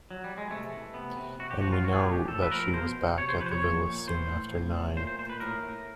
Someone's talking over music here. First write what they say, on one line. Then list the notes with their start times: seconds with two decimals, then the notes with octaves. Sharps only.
And we know that she was back at the villa soon after nine.
0.11 F#3
0.24 G3
0.38 G#3
0.50 C3 A3
0.73 E3
0.94 C3 B3
1.17 C3
1.39 C3 F#4
1.51 G4
1.61 F3 F#4
1.72 F4
1.84 F3 F#4
1.93 G#4
1.99 G4
2.06 A#2
2.13 G4
2.28 A2 A4
2.42 B4
2.51 F3 A#4
2.73 B2 C5
2.96 B2
3.17 C3 C#5
3.29 C5
3.39 F3 B4
3.46 C5
3.51 C#5
3.62 A#2
3.85 A#2
4.07 E3 C5
4.29 A2
4.51 F3
4.75 A2
4.96 A#2 C5
5.07 C5
5.19 A#2 C5
5.29 B4
5.40 A2 A#4
5.63 A2